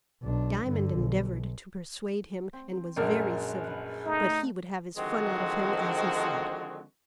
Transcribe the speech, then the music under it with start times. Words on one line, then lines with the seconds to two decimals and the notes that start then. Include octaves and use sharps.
Diamond endeavoured to persuade him, and was very civil, but he would have his fun out of him, as he said.
0.23 B1 D4
0.65 G2 D3
0.96 B1
2.53 C4
2.96 A#1 F#2 G#3 D4 G#4 A#4
3.64 B4 F#5
4.06 A3 D#4
4.97 D3 D#3 F3 G#3 C4 F#4